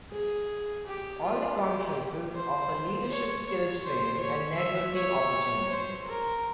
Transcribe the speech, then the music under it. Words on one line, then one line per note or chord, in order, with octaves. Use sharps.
All the conferences offer leadership skills training and networking opportunities.
G#4
G4
F4
G4
C5
C#5
C#5
C5
C#5
E5
C#5
C5
A#4